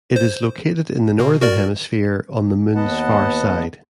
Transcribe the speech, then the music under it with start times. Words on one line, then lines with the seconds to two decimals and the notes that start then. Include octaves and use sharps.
It is located in the northern hemisphere on the Moon's far side.
0.16 C5
1.20 B2
1.41 F#4 A#4 D5
2.75 D#2 B3 B4 D#5 F#5 A5